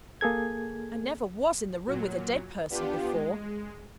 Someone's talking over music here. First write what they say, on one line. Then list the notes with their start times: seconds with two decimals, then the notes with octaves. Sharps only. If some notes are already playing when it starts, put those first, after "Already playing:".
'I never was in the room with a dead person before.'
0.21 A#3 G#4 A4 G#6
1.87 A#2 F#3
2.70 B3 D4 F4 G4
3.12 G#3